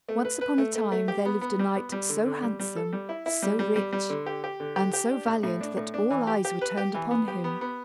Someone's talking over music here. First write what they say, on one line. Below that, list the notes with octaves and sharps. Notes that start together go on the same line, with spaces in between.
Once upon a time there lived a knight so handsome, so rich, and so valiant that all eyes were turned upon him.
A3
B4
B4
A3
A3
A3
G4
B3
B3
G3
B3
G3
D3
D3
G3
G3
A4
G3
E4
E4
G3
G3
G3
G3
D3
G4
G4
D3
G4
G4
D4
A2
A2
D4
A2
D4
E3
G4
G4
B4
G4
E3
B3
G4
B3
B3